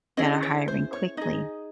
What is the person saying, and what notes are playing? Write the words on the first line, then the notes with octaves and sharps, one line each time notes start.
that are hiring quickly.
C#4 E4 G#4 D#5
C#5
C5
C#5
D#4 G#4 D#5